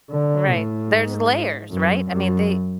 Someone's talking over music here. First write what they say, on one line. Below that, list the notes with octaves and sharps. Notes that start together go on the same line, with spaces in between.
Right, there's layers, right, I mean, they,
D3
A2
G#2
F#2
F#2